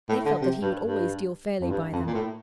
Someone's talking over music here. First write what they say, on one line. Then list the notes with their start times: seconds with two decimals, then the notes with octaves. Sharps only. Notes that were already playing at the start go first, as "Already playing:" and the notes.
They felt that he would always deal fairly by them.
0.09 A2
0.25 D3
0.41 C3
0.62 G2
0.85 G2
1.60 F2
1.70 G2
1.92 F2
2.06 A#2
2.14 A2